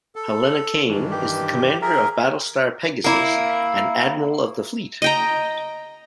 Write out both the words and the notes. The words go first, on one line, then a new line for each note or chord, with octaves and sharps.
Helena Cain is the commander of Battlestar "Pegasus" and Admiral of the fleet.
A4
G2 D#3 E3
G4
G#4 A#4 E5
A#3 E4
D#5 G5 A#5